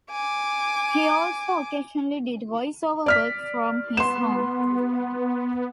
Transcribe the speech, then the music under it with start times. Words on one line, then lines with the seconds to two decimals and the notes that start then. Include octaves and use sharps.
He also occasionally did voice-over work from his home.
0.11 G#5 D6
3.06 D5 F6 B6
3.97 B3 C6 E7